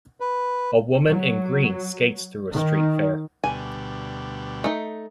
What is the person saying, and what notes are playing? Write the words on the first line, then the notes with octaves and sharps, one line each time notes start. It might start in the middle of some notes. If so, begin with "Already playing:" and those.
A woman in green skates through a street fair.
B4
F#3
D#3
D2 B2 G3 G#5
A3 D#4